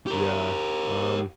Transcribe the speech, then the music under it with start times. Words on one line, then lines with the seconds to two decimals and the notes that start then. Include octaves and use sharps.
Yeah, um
0.07 G4 A#4